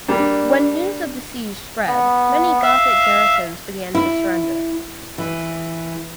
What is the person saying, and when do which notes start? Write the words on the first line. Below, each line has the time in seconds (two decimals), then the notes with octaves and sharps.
When news of the siege spread many Gothic garrisons began to surrender.
0.08 G3 A#3 D4
1.87 B3
2.63 E5 F5
3.95 E4
5.18 E3